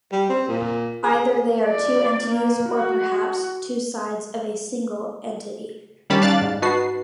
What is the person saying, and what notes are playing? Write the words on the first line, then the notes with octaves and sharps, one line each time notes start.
Either they are two entities, or perhaps, two sides of a single entity.
G3
C4
A#2
G#4
D5
A#3
F#4
D#3 G3 C#4 A5 B5
D5 F5 A5 F6 F#6 A6
G#2
D#4 F#4 B4 A5 C7